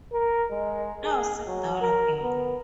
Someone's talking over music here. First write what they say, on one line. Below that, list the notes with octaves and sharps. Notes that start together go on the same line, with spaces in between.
Now sit down again.
A#4
G#3
G#4
F#3
A#4
B3